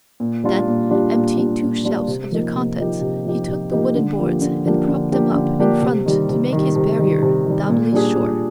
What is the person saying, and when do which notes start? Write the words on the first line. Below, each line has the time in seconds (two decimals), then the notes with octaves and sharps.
Then, emptying two shelves of their contents, he took the wooden boards and propped them up in front to make his barrier doubly sure.
0.20 A#2
0.44 G3 D4 F4
0.67 A#2
0.91 G3 D4 F4
1.15 A#2
1.37 G3 D4 F4
1.61 A#2
1.84 G3 D4 F4
2.08 C3
2.31 F3 A#3 D#4 G4
2.54 C3
2.78 F3 A#3 D#4 G4
3.01 C3
3.24 F3 A#3 D#4 G4
3.48 C3
3.72 F3 A#3 D#4 G4
3.95 D3
4.19 F3 A#3 D4 G4
4.42 D3
4.65 F3 A#3 D4 G4
4.88 D3
5.12 F3 A#3 D4 G4
5.35 D3
5.59 F3 A#3 D4 G4
5.82 C3
6.06 D#3 G3
6.29 C3
6.52 D#3 G3
6.76 C3
6.99 D#3 G3
7.22 C3
7.46 D#3 G3
7.70 A#2
7.93 G3 D4 G#4
8.16 A#2